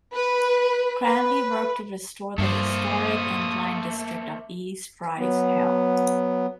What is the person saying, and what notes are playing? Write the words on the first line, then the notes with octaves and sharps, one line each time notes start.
Cranley worked to restore the historic Incline District of East Price Hill.
B4
B4
G2 A3 A#3 C5 D#6
F#3 B3